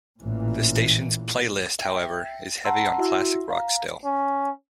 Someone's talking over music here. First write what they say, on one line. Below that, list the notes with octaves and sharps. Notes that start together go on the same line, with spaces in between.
The station's playlist, however, is heavy on classic rock still.
A1 A#2 E3
E5 G5
F#5 A5 A#5 C6 E6
E4 F#4 E5 C6 E6
F5 A#5
C#4